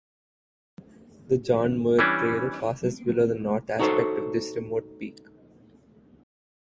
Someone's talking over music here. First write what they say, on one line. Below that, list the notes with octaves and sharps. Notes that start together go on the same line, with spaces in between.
The John Muir Trail passes below the north aspect of this remote peak.
E3 G3 C#4 D4
D#4 F#4 A4 C5 C#5